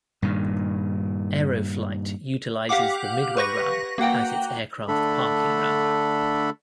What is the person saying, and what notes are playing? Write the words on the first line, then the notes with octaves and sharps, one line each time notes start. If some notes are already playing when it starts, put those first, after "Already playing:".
Aeroflite utilizes the Midway ramp as its aircraft parking ramp.
G2 A#2 D#3
G4 F5 F#5 D6
B4 C#6 A#6
A#3 F#4 F#5 G5
D3 A3 D4 A4 B5